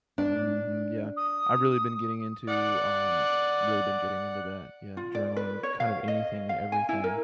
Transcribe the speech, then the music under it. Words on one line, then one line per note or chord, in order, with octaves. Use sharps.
Mhm. Yeah. I've really been getting into, um really been getting into that. Yeah, journaling kind of anything and everything
D4
D#6
D5 F#5
F4
D5
B4
C#5
F5
D#5
F5
G#5
E4
A#4